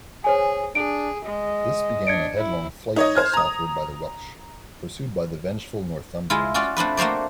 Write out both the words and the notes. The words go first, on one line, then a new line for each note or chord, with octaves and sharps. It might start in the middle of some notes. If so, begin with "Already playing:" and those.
This began a headlong flight southward by the Welsh, pursued by the vengeful Northumbrians.
G#4 C5 C#5 G#5
D4 G#4 D7
G#3 D#5
D4 G#6 C#7 D7
E4
D#4 C#5 D#5
C5 F6 G#6
A#5 D#6
G#3 E4 F4
C#4 F4 F#4 D5
A3 C4 D4 B4
A3 A#3 F#4 C5 D5